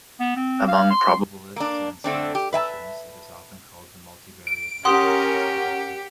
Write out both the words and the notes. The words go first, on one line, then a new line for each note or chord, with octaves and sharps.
Among probabilists and statisticians it is often called the multivariate Ewens distribution.
B3
C4
F5
C6
A#3 D4
D3 A3 C4 D4
G4
B4 E5 G#5 A5
D7
C#4 G4 A#4 F#5 C6 D#6